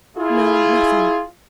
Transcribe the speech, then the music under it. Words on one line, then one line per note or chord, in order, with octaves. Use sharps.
'No, nothing.
E4 F4 G#4